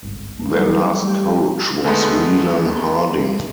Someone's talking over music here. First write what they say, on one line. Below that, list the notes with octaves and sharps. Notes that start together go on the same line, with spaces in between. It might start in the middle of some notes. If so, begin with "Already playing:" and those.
Their last coach was Weylan Harding.
G1 C2 G#2
E3 F#3 G3 A#3 D#4 A4
G3 A3 G4 G5
D3 D#3 G#3 A3 B3